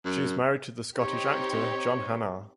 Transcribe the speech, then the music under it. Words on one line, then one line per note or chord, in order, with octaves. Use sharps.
She is married to the Scottish actor John Hannah.
F#2
C4 D#4 G4 C#5